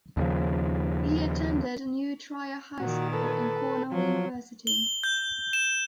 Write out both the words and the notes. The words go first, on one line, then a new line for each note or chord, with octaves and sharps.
He attended New Trier High School and Cornell University.
D#2 C#3 F3
A#2 D#3 F#4
A4 B4
F3 F#3
G7
G6
E7